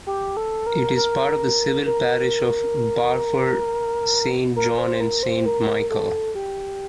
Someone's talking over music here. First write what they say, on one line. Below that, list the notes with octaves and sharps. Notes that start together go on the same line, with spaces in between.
It is part of the civil parish of Barford Saint John and Saint Michael.
G4
A4
A#4
A#4
A#4
A#4
C5
A#4
C5
A#4
A4
G4